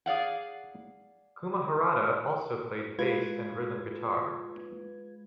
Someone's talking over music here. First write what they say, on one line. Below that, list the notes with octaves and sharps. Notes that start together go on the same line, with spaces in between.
Kuma Harada also played bass and rhythm guitar.
G#4 D5 F5 F#5
G#3 F4 B4 G#6